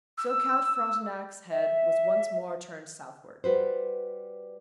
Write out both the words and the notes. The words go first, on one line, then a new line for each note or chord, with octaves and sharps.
So Count Frontenac's head was once more turned southward.
E6
E5
G3 F#4 B4 C5